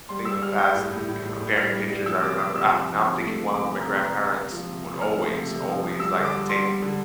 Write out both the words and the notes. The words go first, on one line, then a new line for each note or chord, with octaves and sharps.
thinking of past, you know, comparing pictures, I remember Ah, now I'm thinking one where my grandparents would always, always like to take
G3 C6
G3 E6
G3 F6
G3 G6
A2
A2
A2
A2
A2
G3 F6
G3
G3
F3 E6
C3 D6
C3 D6
C3 E6
F3
F3
C3
A3
F3
C3 D6
C3
A#5
C3
C3 A#5
C3
C3
F3
C3
C3
A3 F6
F3
C3
C3
F3
F3
G3 E6
D3
D6
G3
G3 C6
G3
D3